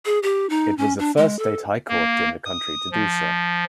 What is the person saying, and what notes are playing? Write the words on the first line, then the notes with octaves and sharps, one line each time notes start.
It was the first state high court in the country to do so.
G#4
G4
D#4
C#4
D4
G#3
A4
A#3
D#6
F3